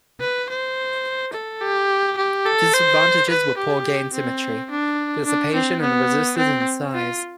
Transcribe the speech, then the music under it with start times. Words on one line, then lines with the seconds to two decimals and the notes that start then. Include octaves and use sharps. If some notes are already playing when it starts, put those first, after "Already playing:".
Disadvantages were poor gain symmetry, dissipation in the resistors and size.
0.20 B4
0.49 C5
1.33 A4
1.61 G4
2.17 G4
2.46 A4
2.73 C5
3.30 B4
3.57 G4
4.14 C4
4.70 D4
5.26 D4
5.54 C4
5.81 B3
6.38 C4
6.94 F4